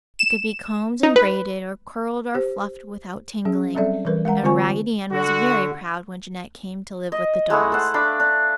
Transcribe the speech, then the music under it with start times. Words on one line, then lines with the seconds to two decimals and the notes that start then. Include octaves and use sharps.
It could be combed and braided, or curled or fluffed without tangling, and Raggedy Ann was very proud when Jeanette came to live with the dolls.
0.19 E7
1.03 D#4
1.16 B4
2.35 G4 C5
3.45 F#3 C#4 G#4
3.75 F#3 G3 C4 A4 D5 E5
4.05 E3 G3 A#4 B4
4.25 G#3 A#4 F#5 A#5
4.43 D3 C4 F4 C5 G#5 C#6
5.12 D3 F#4
7.12 D#5
7.50 G#3 A3 E4 F#5
7.72 A4 C5 F#5
7.94 A3 D4 F5 B5
8.20 D4